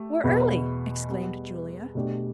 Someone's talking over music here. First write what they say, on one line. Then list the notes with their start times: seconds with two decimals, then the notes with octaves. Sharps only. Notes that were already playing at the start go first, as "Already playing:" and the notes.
"We're early!" exclaimed Julia.
Already playing: A3 G4
0.23 E2 B2 B3
1.09 G3 B3 G4
1.95 B2 A3 D4 G4